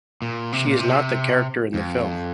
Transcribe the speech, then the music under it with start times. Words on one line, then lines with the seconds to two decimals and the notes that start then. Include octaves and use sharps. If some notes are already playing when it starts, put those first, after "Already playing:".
She is not the character in the film.
0.22 A#2
0.52 C3
0.66 A#2
0.79 C3
1.74 F2